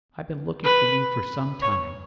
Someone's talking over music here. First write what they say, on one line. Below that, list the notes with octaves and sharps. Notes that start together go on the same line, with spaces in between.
I've been looking for you for some time.
B4
C#5